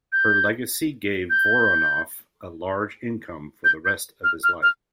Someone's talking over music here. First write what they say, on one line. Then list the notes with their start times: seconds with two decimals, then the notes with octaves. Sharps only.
Her legacy gave Voronoff a large income for the rest of his life.
0.12 G6
1.30 G6
3.65 G6
3.85 G6
4.24 F6
4.44 F6
4.63 F6